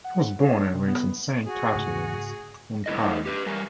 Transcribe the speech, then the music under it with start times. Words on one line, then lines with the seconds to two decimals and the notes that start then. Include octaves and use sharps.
He was born and raised in Saint Catharines, Ontario.
0.04 F#5
0.39 C#5
0.54 D4
0.74 C3
0.87 B3
1.46 F#4 G#4
1.75 G#2 C#3 A3
2.86 G#2 D3 E4 A#4 D#5
3.03 A3 D#4
3.26 G4 B4
3.46 G3 A#4 G#5